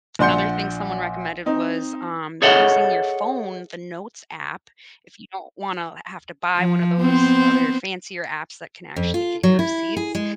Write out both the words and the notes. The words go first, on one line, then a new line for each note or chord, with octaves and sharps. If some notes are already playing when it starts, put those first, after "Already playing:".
another thing someone recommended was, um, using your phone, the notes app. If you don't wanna h have to buy one of those other fancier apps that can actually get your receipts,
A#1 D5 F#5 C6 G6 C#7
C4 D#4
G#4 A4 C#5 D#5 E5 F#5
F3
B3 C4 C5
F2
F4
F#3
E4
G#4
G#3